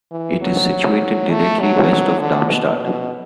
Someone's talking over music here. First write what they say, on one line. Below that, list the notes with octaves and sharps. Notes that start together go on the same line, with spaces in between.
It is situated directly west of Darmstadt.
E3
F#3
A3
F#3
D3
B2
B2